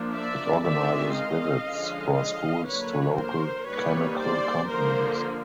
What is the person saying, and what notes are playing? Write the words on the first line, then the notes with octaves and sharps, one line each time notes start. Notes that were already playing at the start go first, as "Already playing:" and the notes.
It organises visits for schools to local chemical companies.
Already playing: F3 A#3 D4
D5 E5
D#3 G#3 C4 D#4 D5 E5
D#5 F5
D3 F3 G#3 C#4
D#5 F5
D3 F#3 A#3 B4 C#5
A#4 C5
G3 A#3 D#4 B4 C#5
C5 D5
D3 F3 A#3 A#4 C5